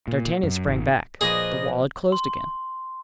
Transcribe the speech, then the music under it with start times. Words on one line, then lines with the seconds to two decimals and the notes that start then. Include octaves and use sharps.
D'Artagnan sprang back; the wall had closed again.
0.08 A#2
0.43 F#2
0.67 G#1
1.21 A#2 F3 G#4 B4 D#5
2.12 C6